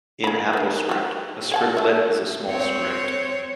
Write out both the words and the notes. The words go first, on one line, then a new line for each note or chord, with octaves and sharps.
In AppleScript, a scriptlet is a small script.
G#4 B5
D#3 B3
F#4 G4
G#4 F#5 A5
A3 E5
C4 C#5